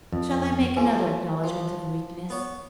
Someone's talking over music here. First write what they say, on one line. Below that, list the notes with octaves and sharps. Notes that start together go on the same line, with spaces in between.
Shall I make another acknowledgment of weakness?
F2
E3 F3 A3 B4 G#5
F3
B3 C#5